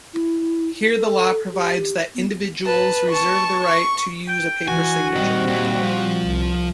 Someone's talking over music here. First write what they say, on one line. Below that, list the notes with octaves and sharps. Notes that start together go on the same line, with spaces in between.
Here the law provides that individuals reserve the right to use a paper signature.
E4
A4
G4
B3
B4 A5
A5 C#6
C#6
G5
E3 F#4 G#5
A#2 D#3 G3 C4
D#2
F3
C2